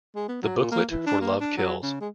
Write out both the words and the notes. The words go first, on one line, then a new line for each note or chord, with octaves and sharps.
The booklet for Love Kills!
G#3
B3
F#3
A#2
A#3
E3
D4
A#3
D4
F#3
C#3
G#3